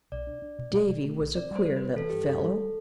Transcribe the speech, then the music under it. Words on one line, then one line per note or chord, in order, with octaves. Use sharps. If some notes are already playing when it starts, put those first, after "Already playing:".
Davy was a queer little fellow.
B1 D5
D4
D4
B2
B2
B2
A3
B1
C4 D5
G3 C5
G3
B4
C4
E3 A4
G2 G4
G2 A4
G3